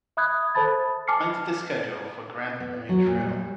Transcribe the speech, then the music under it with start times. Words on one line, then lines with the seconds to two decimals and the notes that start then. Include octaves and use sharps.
Find the schedule for Grand Canyon Trail.
0.17 E5 B5 D#6 F#6 G#6
0.55 A4 C5 A5 B5 A6
1.07 G#5 A5 D6 F6 C7 C#7
2.60 B3
2.89 F#3
3.07 A#2
3.20 G3